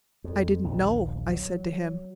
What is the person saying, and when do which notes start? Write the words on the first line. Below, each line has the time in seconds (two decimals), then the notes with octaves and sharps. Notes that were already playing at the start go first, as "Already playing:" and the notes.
"I didn't know," I said to him.
0.24 F2
0.64 A#1 D#2
1.30 F#3